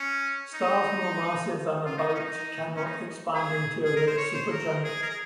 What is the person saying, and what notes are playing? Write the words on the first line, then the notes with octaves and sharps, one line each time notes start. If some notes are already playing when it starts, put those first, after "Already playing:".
Stars more massive than about cannot expand into a red supergiant.
Already playing: C#4
D#4
F4
D#4
D#4
C#4
D#4
C#4
D#4
G#4
G#4
A#4
C5
C#5
C5
A#4
G#4
A#4
G#4